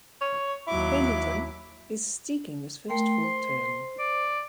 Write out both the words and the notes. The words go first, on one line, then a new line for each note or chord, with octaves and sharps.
Pendleton is seeking his first full term.
C#5
D#2 F#3 E4 D6
A3 A#4 G5 C6
C5
D5